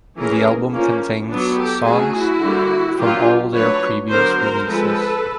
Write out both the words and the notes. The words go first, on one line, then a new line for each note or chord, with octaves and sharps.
The album contains songs from all their previous releases.
E3 A3 C#4 G#4 A#4
F3 A#3 C#4
F#3 B3 D4
G4 A4
F#3 A3 C#4 F#4 G#4
E4 F#4
D3 G3 A#3
F#3 A#3 D4 F4 G4
F#3 A3 D4 B4 C#5
D3 F#3 B3 A#4 C5
A#4 C5
F3 G#3 C4 A4 B4